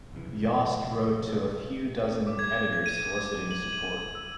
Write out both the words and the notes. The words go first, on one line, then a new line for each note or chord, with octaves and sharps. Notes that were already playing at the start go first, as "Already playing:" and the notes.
Yost wrote to a few dozen editors soliciting support.
F1 B1 C#3 E3
D6
G#6
G#6
D#7
G#6
F#7
D#7
E6